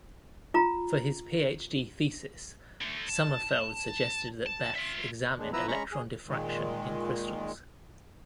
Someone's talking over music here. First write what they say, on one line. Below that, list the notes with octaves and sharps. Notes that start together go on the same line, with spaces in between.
For his PhD thesis, Sommerfeld suggested that Bethe examine electron diffraction in crystals.
F4 A#5
D3 A3
A5
A5
F4 E5
E2 G#3 D4
F3 B3 E4 B4 A#5 E6
G#3 C#4 A#5 B5 C#6
G#4
A#2 D#3 G#3